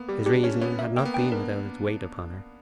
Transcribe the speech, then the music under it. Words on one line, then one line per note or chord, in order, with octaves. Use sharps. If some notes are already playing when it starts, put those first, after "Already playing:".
His reasoning had not been without its weight upon her.
Already playing: A#3 B3
G3 G4
D4 G4
C#4 C#5
B3 C#5
A#3 E5
A#3 G5
B3
D4 G5
A#4